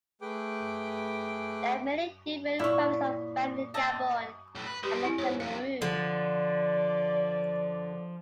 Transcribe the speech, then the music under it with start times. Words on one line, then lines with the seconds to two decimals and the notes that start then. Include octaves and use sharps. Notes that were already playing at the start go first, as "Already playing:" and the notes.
There are many different variants of Fang in Gabon and Cameroon.
0.21 A3 G#4 B4 G5 D6
2.59 A#2 E4 C#5 C#6
3.74 D#5 E5 A5
4.55 B1 A2
4.67 B4
4.83 G3 G#3 G4 B4
5.05 C4 E4
5.18 G#2 C5 C#5
5.40 F2 C3 F5
5.82 D3 F3 D5